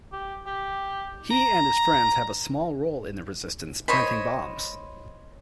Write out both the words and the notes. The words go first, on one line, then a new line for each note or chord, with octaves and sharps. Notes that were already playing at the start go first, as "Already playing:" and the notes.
He and his friends have a small role in the Resistance planting bombs.
G4
G4
A#5
C5 C#5 D#5 B5